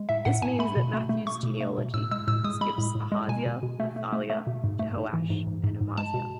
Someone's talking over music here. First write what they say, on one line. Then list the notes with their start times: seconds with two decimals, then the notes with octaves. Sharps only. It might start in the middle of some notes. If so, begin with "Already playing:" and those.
This means that Matthew's genealogy skips Ahaziah, Athaliah, Jehoash, and Amaziah.
Already playing: G#3
0.09 A2 E5
0.25 A2 F#5
0.42 A2 G#5
0.59 A3 B5
0.77 B2
0.94 A3
1.09 A3
1.27 A3 C#6
1.43 B2
1.61 A3
1.78 B2
1.94 A2 E6
2.11 G#3 E6
2.28 A2 E6
2.44 G#3 D#6
2.61 G#3 B5
2.78 A2
2.95 A2
3.12 G#3
3.28 B2 G#5
3.46 B2
3.63 B2
3.80 A3
3.96 A3
4.13 A3
4.30 A3
4.47 B2
4.64 G#2
4.79 A3
4.97 G#2
5.13 E3
5.30 G#2
5.47 G#2
5.64 G#2
5.81 G#2
5.97 G#3 A5
6.14 B2